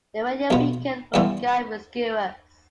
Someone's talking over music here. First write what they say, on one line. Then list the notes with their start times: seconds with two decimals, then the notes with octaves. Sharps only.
The radio beacon would guide rescuers.
0.50 B1 B2 B3 F4
1.14 G2 E3 G3 B3 F4